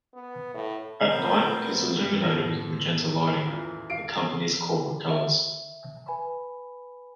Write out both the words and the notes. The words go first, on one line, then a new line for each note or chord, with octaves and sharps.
At night, it is illuminated with magenta lighting, the company's corporate colors.
B3
A2
A#2 A3 B3 C4 A#4 C5
F#2 A2 F3 A4 B4 G5 A#6
E2 A#2
F5 C7 D7
E5
B4 G#5 B5